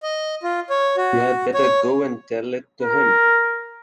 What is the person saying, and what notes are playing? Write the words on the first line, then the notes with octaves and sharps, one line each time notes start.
You had better go and tell it to him.
D#5
F4
C#5
F#4
C#5
A#4